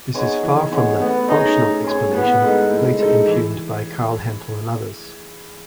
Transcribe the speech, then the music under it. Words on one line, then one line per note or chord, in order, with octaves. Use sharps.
This is far from the 'functional explanation' later impugned by Carl Hempel and others.
B3 D#4 G#4 C#5
E3
B3 D#4 G#4 C#5
A3 B3
C#4 D#4 G#4 C#5
A3
C#4 G#4 C#5
A2 B3
G#3 D#4 A4
A2
G#3 D#4 A4
E3